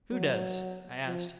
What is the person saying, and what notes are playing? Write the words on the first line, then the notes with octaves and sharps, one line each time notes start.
"Who does?" I asked.
F#3
F3